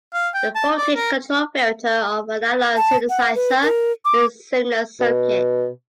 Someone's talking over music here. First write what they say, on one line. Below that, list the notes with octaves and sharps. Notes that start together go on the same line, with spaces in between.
The voltage-controlled filter of an analog synthesizer is a similar circuit.
F5
G5
A5
D5
A#4
A5
F#5
B4
A#4
D6
B2